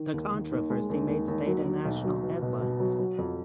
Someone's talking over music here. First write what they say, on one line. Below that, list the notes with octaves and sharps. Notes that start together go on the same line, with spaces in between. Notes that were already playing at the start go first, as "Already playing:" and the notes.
The controversy made state and national headlines.
Already playing: D#3
D#2
D#3
D#2
G#3
D#2
D#2
D#2
F#3
F#3
B1
F#3
B2
B2
B2
F#3
F#3
F2